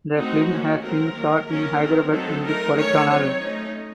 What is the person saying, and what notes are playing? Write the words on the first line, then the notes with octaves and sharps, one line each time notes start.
The film has been shot in Hyderabad and Kodaikanal.
A3 C4 D#4 F#4
D#3 A#3 C#4
F#3 A3 C4 A#4
D#3 F#3 A#3
D#3 F#3 A#3 C#4 A#4
D#3 F#3 C4
F#3 A3 C4 D#4 A4
A3 D#4 A#4
D#3 A3 C#4 C#5
F#3 C4 D#4 C#5
A3 C#4 D#4